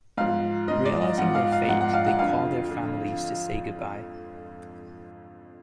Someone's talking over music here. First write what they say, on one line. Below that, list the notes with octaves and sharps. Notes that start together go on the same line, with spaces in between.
Realizing their fate, they call their families to say goodbye.
G#2 F3 F5
G#2 F3 D#5
D5
D#5
G#2 F3 F#5
F5
F5
G#2 F3 F#5
F#5
F5
F#5
F2 D3 F3 F5
D3 F3